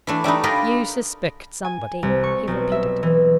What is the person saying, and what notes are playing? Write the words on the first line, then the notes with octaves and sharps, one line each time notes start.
"You suspect somebody," he repeated.
E3 A3 D4
G3 A3 D4 D#4
F4 G4 A#4 B4 D5 D#5
G#5
C2
C#6
B1
E5
E3